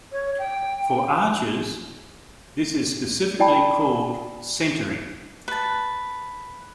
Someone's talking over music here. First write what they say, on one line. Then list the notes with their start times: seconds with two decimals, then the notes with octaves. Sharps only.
For arches, this is specifically called centering.
0.12 C#5
0.39 G5
3.39 E4 D5 G5 A5 B5
5.48 B4 A5